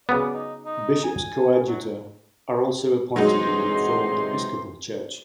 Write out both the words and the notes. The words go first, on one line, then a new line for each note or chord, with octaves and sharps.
Bishops coadjutor are also appointed in the Reformed Episcopal Church.
C#3 F#3 B3 D5
D#4
D#4
G#5
F#3
C3 E3 F#3 G#3 D#4 C6